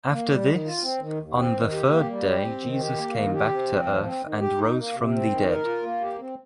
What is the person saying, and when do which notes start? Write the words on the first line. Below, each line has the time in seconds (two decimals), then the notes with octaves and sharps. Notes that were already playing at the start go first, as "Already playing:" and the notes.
After this, on the third day Jesus came back to Earth and rose from the dead.
0.11 A#3
0.29 G3
0.47 D#3
0.64 F4
0.82 C4
1.01 D#3
1.18 D#2
1.36 C4
1.54 D#3
1.72 G4
1.90 A#3
2.08 G3
2.25 G4
2.44 C4
2.61 D#3
2.79 G4
2.97 A#3
3.14 D#3
3.33 G4
3.51 C4
3.68 F3
3.86 D#2
4.04 C4
4.22 D#3
4.40 G4
4.57 D#4
4.76 A#3
4.93 C3
5.11 C4
5.29 D#3
5.47 A#4
5.65 F4
5.83 A#3
6.01 G4
6.19 C4